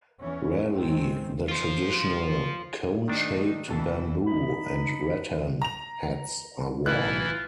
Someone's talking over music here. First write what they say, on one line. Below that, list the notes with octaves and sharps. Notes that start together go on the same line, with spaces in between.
Rarely, the traditional cone-shaped bamboo and rattan hats are worn.
E2 E3 C#4
C#2 G#2 D#3 G#3 C4
F4 C5
D#3 A3 D4 D#4
C2 F2 E3 A4
D#4 B5
A#5 F7
A1 E3 E4 F4 F#6